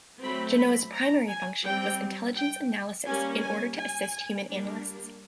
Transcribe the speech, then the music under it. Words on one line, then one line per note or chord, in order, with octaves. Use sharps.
Genoa's primary function was intelligence analysis in order to assist human analysts.
F#3 A3 C4 B5
B5
A#5
G#5
G3 C4 G5
G5
G3 A#3 C#4 G#5
G#5
G#5
G3 A#3 D4